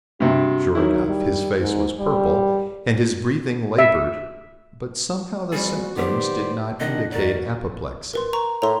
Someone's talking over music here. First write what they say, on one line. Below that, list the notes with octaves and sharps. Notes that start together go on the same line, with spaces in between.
Sure enough, his face was purple and his breathing laboured, but somehow the symptoms did not indicate apoplexy.
G2 C3 F#4
D#3 F#3 E4
G3
G#2
G3
E5
F2 G3 F#4 G#4
D#3 B3 G4 C5 D5
C3 D#3 D4 D#5 F#5
E2 D#4 F#4 A#4 D5
A#4 B4 C6
A#5 C#6
A2 A#5 C6